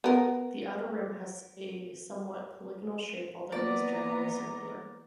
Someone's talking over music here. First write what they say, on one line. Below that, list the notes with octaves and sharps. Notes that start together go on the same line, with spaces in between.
The outer rim has a somewhat polygonal shape, although it is generally circular.
B3 A#4
E3 A#3 B3 D5 A#5 A6